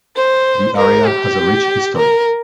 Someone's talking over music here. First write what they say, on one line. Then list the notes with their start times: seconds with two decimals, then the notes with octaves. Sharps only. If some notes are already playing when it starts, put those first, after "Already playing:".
The area has a rich history.
0.16 C5
0.77 A#4
1.06 G4
1.97 A#4